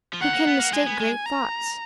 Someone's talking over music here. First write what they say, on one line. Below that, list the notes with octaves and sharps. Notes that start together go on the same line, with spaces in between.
"Who can mistake great thoughts?"
F3
D#3 F#5
A#3
B3
A#3
G#3 G#5
B3
G#3
A#5